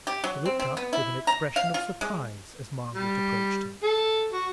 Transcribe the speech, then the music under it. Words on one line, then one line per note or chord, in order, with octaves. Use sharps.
He looked up with an expression of surprise as Margaret approached him.
G4
F#3
C4
C4
B3
E4
A#5
F5
F4
G#3
G3
A4
F#4